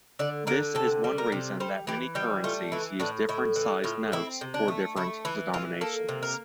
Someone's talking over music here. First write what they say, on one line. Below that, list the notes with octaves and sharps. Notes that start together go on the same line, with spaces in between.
This is one reason that many currencies use different sized notes for different denominations.
D3 D5
D3 A#4
C3 A4
G3
A#4
C3
G3 C5
E3 G4
G3 G4
A3 F4
E3 E4
A2 D4
A2 E4
E3
A2 F4
C4 E4
C3
D4
A3
A3 E4
E3 E4
E3 F4
A#3 A4
C3
A#4